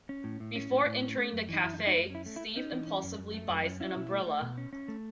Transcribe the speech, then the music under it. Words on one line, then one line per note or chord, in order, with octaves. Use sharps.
Before entering the Cafe, Steve impulsively buys an umbrella.
C#4
A2
A2
C#4
A2
A2
C#4
A3
F#2
E3 D#4
F#2 E4
D#4
A3
D#4
F#2 E4
C#4 E4
A3
E4
A3
C#4 D#4
E3
C#4
F#2
F#2
A3
F#2
C#4
C#4 E4
B2
A3
A3
B2
C#4
C#4
A3